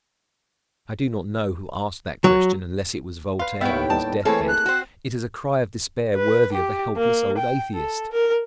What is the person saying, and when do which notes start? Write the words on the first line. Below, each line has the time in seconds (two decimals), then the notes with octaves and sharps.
I do not know who asked that question, unless it was Voltaire on his death-bed; it is a cry of despair worthy of a helpless old atheist.
2.24 F#3
3.39 B4 F5 C6
3.61 D#2 A2 B3 E4 E5 F5 G5 C#6
3.90 G3 B3 D#4 A5
4.25 E3 A3 A#3 C4 E4 G#4 A4 C#5
4.48 F#6
4.66 C4 F#4 C5
6.14 B4
6.53 G4
6.97 A#3
7.38 G5
7.74 A4
8.12 A#4